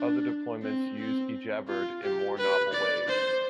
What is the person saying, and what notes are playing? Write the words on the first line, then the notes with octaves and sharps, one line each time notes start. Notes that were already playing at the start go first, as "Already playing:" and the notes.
Other deployments use ejabberd in more novel ways.
Already playing: D4
C4
C4
F4
G4
B4
D5
C5